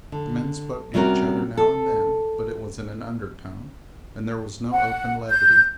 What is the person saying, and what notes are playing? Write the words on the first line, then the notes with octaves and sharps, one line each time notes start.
The men spoke to each other now and then, but it was in an under tone, and there was no open levity.
D3
C3 G3 C#4 F#4 A#4
A4
F#5
G6